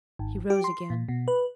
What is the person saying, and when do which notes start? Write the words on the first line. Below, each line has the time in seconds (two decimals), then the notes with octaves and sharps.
He rose again.
0.19 G#1
0.50 G4
0.64 C6
0.90 A#2
1.08 B2
1.28 B4